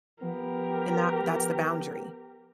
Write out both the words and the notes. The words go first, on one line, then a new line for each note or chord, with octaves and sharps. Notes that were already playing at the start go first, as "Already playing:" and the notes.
and that that's the boundary.
F3 B3 G4 A#4